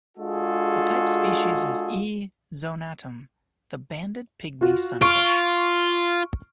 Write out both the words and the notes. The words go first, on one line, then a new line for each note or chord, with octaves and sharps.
The type species is "E. zonatum," the banded pygmy sunfish.
G#3 D4 F4 F#4 G#4 A4
F4 F#4
F4 C#6 F6 D7